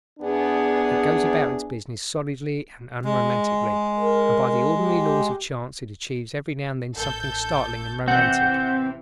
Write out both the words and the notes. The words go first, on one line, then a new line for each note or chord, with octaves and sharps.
It goes about its business solidly and unromantically, and by the ordinary laws of chance it achieves every now and then something startling and romantic.
E2 B3 D4 G#4
G#3
A#4
G4
A1 A4 G6
C3 E3 C4 F#5 G6